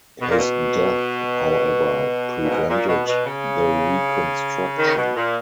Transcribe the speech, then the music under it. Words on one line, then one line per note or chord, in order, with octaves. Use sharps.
His death, however, prevented the reconstruction.
B2
A#2
B2
A#2
G#2
A#2
B2
B2
C#3
D#3
C#3
B2
A#2